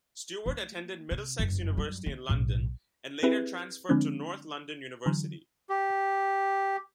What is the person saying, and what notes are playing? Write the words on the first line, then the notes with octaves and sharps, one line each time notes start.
Stewart attended Middlesex University in London and later transferred to North London University.
A3 A#3
C3
F#1 G2
F#2 G3
D3
B1 A2
C4 E4 G4 G#4 B4 E5
D3 F3 G#3 C4 D4
D3 E3 F#3
G4